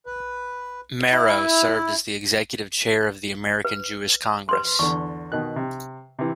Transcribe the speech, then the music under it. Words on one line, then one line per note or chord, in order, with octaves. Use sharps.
Marrow, served as the executive chair of the American Jewish Congress.
B4
E4
B4
B4 C6
E2 D3 C#6
B2 D#3 F#6
C3
C3 E3